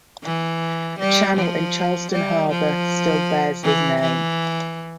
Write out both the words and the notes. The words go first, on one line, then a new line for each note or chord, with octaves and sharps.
A channel in Charleston Harbor still bears his name.
E3
G3
F3
G3
F3
E3
E3